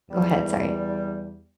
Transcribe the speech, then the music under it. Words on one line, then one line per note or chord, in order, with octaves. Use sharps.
Go ahead, sorry.
E2 G3